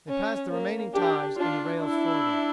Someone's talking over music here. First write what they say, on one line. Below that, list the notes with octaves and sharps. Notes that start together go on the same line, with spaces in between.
They passed the remaining ties and the rails forward.
C#4
A#3
D4 G4
D4 F4
D4 E4